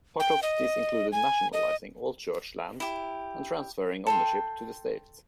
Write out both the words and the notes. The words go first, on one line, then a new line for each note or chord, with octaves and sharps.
Part of this included nationalizing all Church lands and transferring ownership to the state.
G5
D#5
G#5
D#5
E4 G4
A4 G5 C6